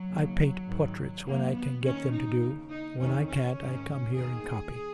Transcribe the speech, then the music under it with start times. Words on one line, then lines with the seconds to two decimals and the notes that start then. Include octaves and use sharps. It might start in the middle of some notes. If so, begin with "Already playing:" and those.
'I paint portraits when I can get them to do; when I can't, I come here and copy....
Already playing: F#3
0.09 D#2 C#3
0.67 G#2 D#3
1.25 F#2 D#3 A#3
1.54 B3
1.83 D#2 D#3 C#4
2.12 D#4
2.42 D#2 C#3
2.69 D#4
2.99 F2 D#3 C#4
3.28 C#4
3.58 G#2 D#3
4.15 D#2 D#3 G#4